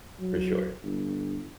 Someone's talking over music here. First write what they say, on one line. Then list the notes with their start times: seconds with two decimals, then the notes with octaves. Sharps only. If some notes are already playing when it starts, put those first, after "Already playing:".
For sure.
0.20 F#3
0.83 G1